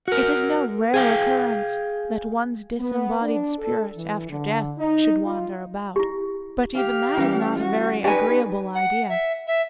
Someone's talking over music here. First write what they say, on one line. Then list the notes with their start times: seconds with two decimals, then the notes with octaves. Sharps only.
It is no rare occurrence that one's disembodied spirit, after death, should wander about; but even that is not a very agreeable idea.
0.08 F#4 A#4
0.94 G#4 F5 G5
2.80 B3
3.21 D4
3.58 A4
3.95 E3
4.29 D3
4.78 D#4
5.23 F4
5.96 E4 G4
6.75 G4 F5
7.17 E3 G3 C#4 E4 A#4
7.57 F#4
8.04 D#4 G4 B4 D5 E5 G5 G#5
8.74 F#5
9.09 E5
9.47 E5